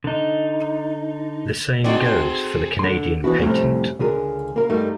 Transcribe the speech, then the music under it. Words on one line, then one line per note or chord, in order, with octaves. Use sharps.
The same goes for the Canadian patent.
D3 D#4
C4 D#4 F#4 G#4 A4 D5 C6
D3 C6
E3 F#3 B3 D4 E4 F#4
F2 A2 C3 G3 A3 C#4
C#2 D3 G#4 A#4
A#3 A#4
G2 G3 A3 D#4 A#4